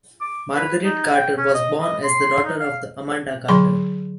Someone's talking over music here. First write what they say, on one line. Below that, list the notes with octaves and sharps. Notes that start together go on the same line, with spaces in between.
Margaret Carter was born as the daughter of Amanda Carter.
D6
B4
D#4
G5
C#4
D#5
D#5
C6
D#4
F5
D3 F#3 B5 C6